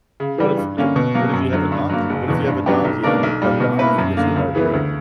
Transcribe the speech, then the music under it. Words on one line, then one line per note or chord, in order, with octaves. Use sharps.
what if yo what if you have a donkey what if you have a donkey and the donkey gives you heartbreak?
C#3
E3 G3
G2
D3 A#3 C#4
B2
F#3 A#3
F#2
D3 F#3
G2
F#3 A#3
F#1
E2 B2
G2
F#3 B3 D4 G4
B1
B2 A#3 D4 A#4
B1
A#2 G3
B2
A#3 E4 B4
F#2
D3 A#3
C#2
C#3 E3 B3 E4
D2